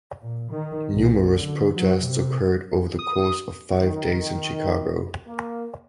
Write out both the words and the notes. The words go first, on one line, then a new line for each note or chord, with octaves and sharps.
Numerous protests occurred over the course of five days in Chicago.
A#2
D#3
B1
D3
F#3
C3
D#6
D#3
A#3